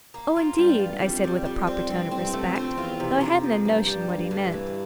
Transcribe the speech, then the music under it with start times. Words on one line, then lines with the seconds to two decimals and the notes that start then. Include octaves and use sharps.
'Oh, indeed,' I said with a proper tone of respect, though I hadn't a notion what he meant.
0.14 A#3
0.36 F4
0.58 G2 G3
0.79 F4
0.98 E2
1.01 F2 G3
1.24 G3
1.45 F2 G3
1.67 C4
1.90 G2 C4
2.08 A2 C4
2.19 G2
2.33 A3
2.48 F2
2.56 C4
2.77 E2 F4
3.00 C3
3.21 F2 A#3
3.43 F3
3.65 G2 A#3
3.87 G3
4.09 G2 A#3
4.31 D3
4.52 E3